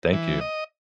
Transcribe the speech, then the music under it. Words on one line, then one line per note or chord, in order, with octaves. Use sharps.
Thank you.
E3
D#5